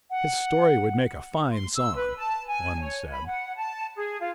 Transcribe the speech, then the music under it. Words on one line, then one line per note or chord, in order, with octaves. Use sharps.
"His story would make a fine song," one said.
F#5
C6
E6
B4
A5
G#5
C#5
B5
F#5
A5
G#4
F4